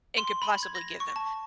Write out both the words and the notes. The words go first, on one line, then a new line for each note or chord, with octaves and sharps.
and could possibly give them.
C6
B5
G#6
A#6
C#6
A5